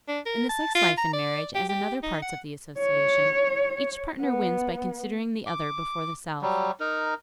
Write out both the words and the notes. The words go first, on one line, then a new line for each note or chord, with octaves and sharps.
In the sex life in marriage, as in other parts of the association, each partner wins by considering the other before the self.
D4
A#4
A5
F4
A#5
D5
G4
G4
D#4
F#5
C#5
B3
D6
F#3 G3
D#4 A#4